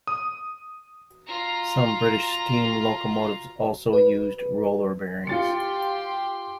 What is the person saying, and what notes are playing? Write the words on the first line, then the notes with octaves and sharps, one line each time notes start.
Some British steam locomotives also used roller bearings.
D#6
F4 A#5
B4
F4 G4 G5 C6 A6 C#7